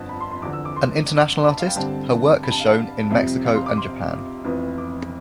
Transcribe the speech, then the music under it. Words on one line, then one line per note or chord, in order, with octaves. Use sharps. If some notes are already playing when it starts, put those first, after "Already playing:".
An international artist, her work has shown in Mexico and Japan.
Already playing: G1 F2 D3 A5
B5
C6
C6
E2 D3 F3 D6
E6
D6
C6
B5
A5
F5
G5
G2 D3 G3 C4 A5
B5
A5
F5
A5
F2 C3 G3 C4 E5
F5
C6
D6
C6
F1 F2 E3 B3
D6